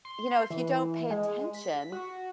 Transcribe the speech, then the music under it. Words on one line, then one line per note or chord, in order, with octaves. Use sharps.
you know, if you don't pay attention,
C6
E3
G#3
B6
F#4